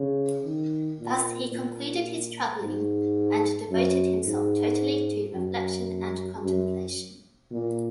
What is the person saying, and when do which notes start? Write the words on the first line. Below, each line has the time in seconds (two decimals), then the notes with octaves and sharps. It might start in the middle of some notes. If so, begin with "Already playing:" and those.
Thus he concluded his traveling, and devoted himself totally to reflection and contemplation.
Already playing: C#3
0.45 D#3
0.99 A#2
1.53 A#2
2.62 G#2
3.71 F#2
4.25 G#2
5.34 F#2
6.43 F#2
7.52 A#2